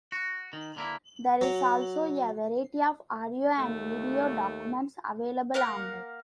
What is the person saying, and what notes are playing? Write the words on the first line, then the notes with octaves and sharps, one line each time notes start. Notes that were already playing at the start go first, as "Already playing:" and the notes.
There is also a variety of audio and video documents available online.
F#4
D#3
D3 A#3 E4
F#3 C#5
D#2 A3
A#3 A#4 F5 F#5